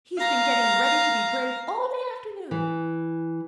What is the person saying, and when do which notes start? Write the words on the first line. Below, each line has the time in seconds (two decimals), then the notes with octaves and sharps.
'He's been getting ready to be brave all the afternoon.
0.18 F5 A#5
2.51 E3